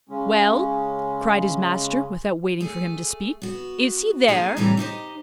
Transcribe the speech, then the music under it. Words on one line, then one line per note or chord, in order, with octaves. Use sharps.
"Well!" cried his master, without waiting for him to speak, "is he there?"
C#3 G#3 C#4
A3 G#4
B3 F#4
A#3 D#4 G#4 C5
A2 C3 E3 G3 A#5
D#4 G4 C5 D#5